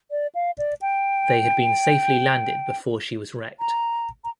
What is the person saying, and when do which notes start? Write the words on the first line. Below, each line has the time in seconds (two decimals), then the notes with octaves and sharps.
They had been safely landed before she was wrecked.
0.11 D5
0.35 F5
0.58 D5
0.81 G5
3.60 A#5
4.24 A#5